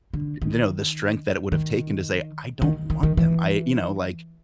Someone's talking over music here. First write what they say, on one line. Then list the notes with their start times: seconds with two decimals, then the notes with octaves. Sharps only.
th you know, the strength that it would've taken to say, "I don't want them, I you know, like,
0.14 D3
0.42 D#3
1.52 D#3
2.62 D#3
2.90 D#3
3.03 D#3
3.17 E3